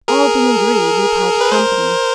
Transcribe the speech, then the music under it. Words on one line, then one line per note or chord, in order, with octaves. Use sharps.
All being agreed, we parted company.
G#4 A#4
B4
A#4 C5